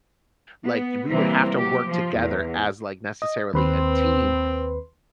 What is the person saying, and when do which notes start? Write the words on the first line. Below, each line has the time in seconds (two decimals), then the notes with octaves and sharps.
like, we would have to work together as, like, necessarily a team
0.65 B3
1.10 C3 E3 G3 A#3 C4
1.57 F#3 G4
1.86 F3
2.18 E2
3.22 D#5
3.54 D#2 C4 B4 C6